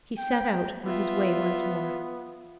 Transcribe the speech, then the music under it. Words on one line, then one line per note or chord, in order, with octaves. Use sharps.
He set out on his way once more.
G5
B3 F4 E5